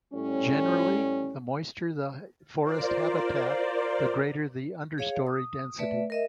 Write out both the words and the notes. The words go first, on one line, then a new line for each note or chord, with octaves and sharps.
Generally the moister the forest habitat the greater the understory density.
A2 G3 C#4
F4 A#4 C5 D5
G#4 C#5 F5
D#6
A3 B4 D5 E5
A#4 D#5 E5